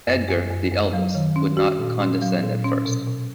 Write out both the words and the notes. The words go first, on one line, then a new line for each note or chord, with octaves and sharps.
Edgar, the eldest, would not condescend at first.
F#2
F#2
F#2
F#2
F#3
D#3
C#4
F#4
A#2
C#4
F#3
A#2
C#4
B2
B2